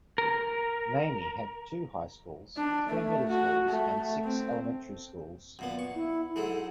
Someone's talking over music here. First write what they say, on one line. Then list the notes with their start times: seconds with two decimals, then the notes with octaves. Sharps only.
Namie had two high schools, three middle schools and six elementary schools.
0.18 A#4
2.57 D4
2.89 A3
3.29 F#4
3.69 A3
4.24 C4
5.59 F#2 A#2 B3
5.79 C#6
5.95 E4
6.36 G#2 F#3 G#3 A4